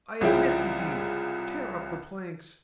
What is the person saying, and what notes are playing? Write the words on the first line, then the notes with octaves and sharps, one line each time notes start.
I admit the deed!--tear up the planks!
C2 C#3 F3 G#3 E4 G5